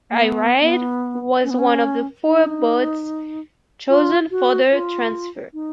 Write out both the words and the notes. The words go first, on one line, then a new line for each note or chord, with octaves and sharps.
"Iride" was one of the four boats chosen for the transfer.
A#3
B3
B3
C#4
B3
C#4
D#4
F4
F#4
F4
D#4